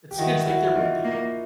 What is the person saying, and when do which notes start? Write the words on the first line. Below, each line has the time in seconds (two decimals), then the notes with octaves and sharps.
It seems like there would be.
0.11 G4
0.18 D#3 E4 F#4
0.47 E4 F#4
0.65 E4
0.75 E3 D#4 F4
1.05 A#3